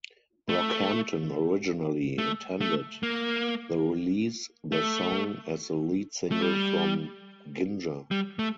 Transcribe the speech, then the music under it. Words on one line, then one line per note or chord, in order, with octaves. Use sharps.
Brockhampton originally intended the release the song as the lead single from "Ginger".
A3
A3
A3
A#3
A3
A3
G3
G3
A3